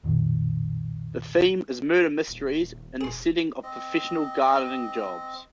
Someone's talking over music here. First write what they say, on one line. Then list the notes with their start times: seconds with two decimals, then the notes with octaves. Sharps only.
The theme is murder mysteries in the setting of professional gardening jobs.
0.03 B1 F2 A#2 D#3
2.28 D#1
3.01 E1 G#4 C6
3.63 C4 D#5